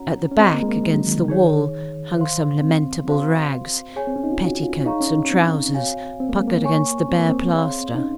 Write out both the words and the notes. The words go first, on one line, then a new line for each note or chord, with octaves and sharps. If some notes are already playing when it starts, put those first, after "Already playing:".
At the back, against the wall, hung some lamentable rags, petticoats and trousers, puckered against the bare plaster.
Already playing: C#4 F#4 C#5 F#5 A#5
C#4
C4 F4 G#4 D#5 A#5
A#3
G#3
A#3
G#3
F#3
D#3
C#3
D#3 D#4 G#4 C#5
C5 F5 C6
C4
F#4 C5 F5 C6
G#4 C#5 G#5
C4
C#4
D#4
F4
F#4
F4
D#4 G#4 C#5 F5 A#5 C#6
C#4
D#4
C#4
C4
F#4 C#5 F5 G#5
C4
A#3
G#3
A#3
C#5 G#5 C#6
C4
A#3
C4
G#4 C#5 F5 C6
D#4
C#4